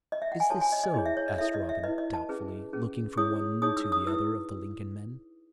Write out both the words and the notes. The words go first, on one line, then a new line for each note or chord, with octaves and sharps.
"Is this so?" asked Robin, doubtfully, looking from one to the other of the Lincoln men.
D#5
E5
F#5
G#5
F#4 A4 C#5 A5
G#5
D#5
D#5
E4 G#4 C#5 D#5
E5
C#5
D#5
E4 A4 C#5 E5
D#5
E5
E4 B4 D#5
D#5
A5
C#4 G#4 B4
C#4 G#4 B4
E4 G#4 C#5 D#6
D#4 G#4 C#5 D#6
E6
D#6
E4 B4 E6